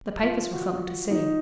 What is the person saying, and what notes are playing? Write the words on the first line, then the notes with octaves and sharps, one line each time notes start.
The papers were something to see.
F4
F#4
D#4